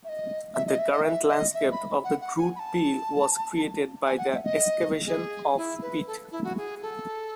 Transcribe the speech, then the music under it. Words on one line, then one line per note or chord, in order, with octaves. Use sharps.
The current landscape of the Groote Peel was created by the excavation of peat.
E5
D#5
E5
D#5
E5
D#5
E5
D#5
E5
B5
F#5
F#5
G#5
B5
A5
G#5
F#5
E5
D#5
G#4
E4
B4
A4
E4
F#4
G#4
A4